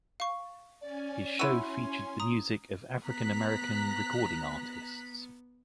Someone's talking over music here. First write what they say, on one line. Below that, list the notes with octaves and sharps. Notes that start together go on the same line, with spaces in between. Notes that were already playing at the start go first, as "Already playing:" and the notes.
His show featured the music of African-American recording artists.
F5 C#6
C#4 D5 G#5
E4 F#4 C6 E6 D#7
A#5 D#6
B3 A#5 F#6 B6